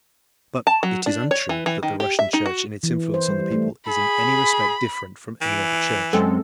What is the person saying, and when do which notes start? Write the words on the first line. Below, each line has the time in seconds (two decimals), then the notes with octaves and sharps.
But it is untrue that the Russian Church in its influence on the people is in any respect different from any other church.
0.67 A5
0.83 F#3
1.06 D4
1.31 C#5
1.49 E3
1.66 E3
1.83 D#3
2.00 G4
2.19 E5
2.33 D#4
2.46 F#4
2.83 E3
3.14 C5
3.28 G3
3.51 A3
3.88 G#4 B5
5.41 E3 D7
6.13 F#2 G#3 C4 A4